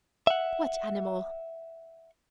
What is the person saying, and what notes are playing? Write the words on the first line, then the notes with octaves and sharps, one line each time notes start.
"What animal?"
E5 F#5